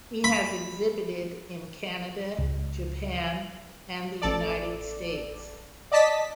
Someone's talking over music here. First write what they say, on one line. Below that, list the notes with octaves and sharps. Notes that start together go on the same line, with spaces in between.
He has exhibited in Canada, Japan, and the United States.
B5
C#2
A1 A4 D5
D5 D#5 A5 B6